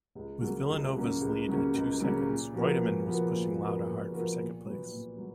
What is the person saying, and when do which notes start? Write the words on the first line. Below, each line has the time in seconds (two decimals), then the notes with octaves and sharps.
With Villeneuve's lead at two seconds, Reutemann was pushing Lauda hard for second place.
0.15 C#2
0.42 C#3 F#3 A#3 C#4
0.69 C#2
0.94 C#3 F#3 A#3 C#4
1.21 C#2
1.48 C#3 F#3 A#3 C#4
1.74 C#2
2.00 C#3 F#3 A#3 C#4
2.27 A#2
2.54 F3 B3 F#4 A#4
2.80 A#2
3.07 F3 B3 F#4 A#4
3.33 A#2
3.60 F3 B3 F#4 A#4
3.86 A#2
4.12 F3 B3 F#4 A#4
4.39 A#2
4.65 F#3 B3 F#4
4.92 A#2
5.18 F#3